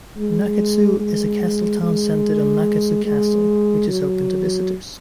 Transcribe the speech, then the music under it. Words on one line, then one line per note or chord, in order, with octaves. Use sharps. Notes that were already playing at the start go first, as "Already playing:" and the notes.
Nakatsu is a castle town centered on Nakatsu Castle, which is open to visitors.
G#3
G#3
G#3
G#3
F#3